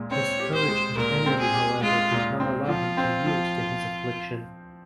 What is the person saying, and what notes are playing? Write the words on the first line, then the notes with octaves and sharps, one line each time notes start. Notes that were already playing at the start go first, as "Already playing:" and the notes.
His courage and energy, however, did not allow him to yield to his affliction.
Already playing: A#2 G#3
C4 C#5
G4
C5
G#3
A#2 A#4
C4
G#4
G4
G#3 F4
A#2
C4
F3 F4
C4
F3